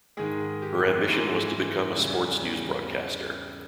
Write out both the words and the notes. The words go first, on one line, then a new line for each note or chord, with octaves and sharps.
Her ambition was to become a sports newsbroadcaster.
G#2 D#3 G#3 G#4
G4
G#2 E3 G#3
E2 C#3 G3